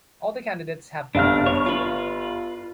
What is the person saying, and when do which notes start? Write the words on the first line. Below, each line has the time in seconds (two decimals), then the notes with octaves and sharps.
All the candidates have been approved.
1.15 G1 D4 F5 F6
1.46 C#5
1.66 F4 B4